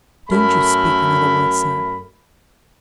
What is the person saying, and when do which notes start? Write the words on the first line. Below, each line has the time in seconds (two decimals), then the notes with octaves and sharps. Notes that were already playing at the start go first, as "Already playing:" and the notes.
Don't you speak another word, Sir.'
0.30 F#2 A3 A#4 B5